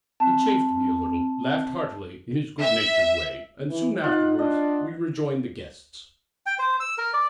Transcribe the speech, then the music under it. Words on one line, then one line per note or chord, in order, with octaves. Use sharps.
He chaffed me a little, laughed heartily in his good-natured way, and soon afterwards we rejoined the guests.
C4 A5
E5
E3
D#4 F4 F#5
D4 D#5
G5
C5
E6
A#4
D5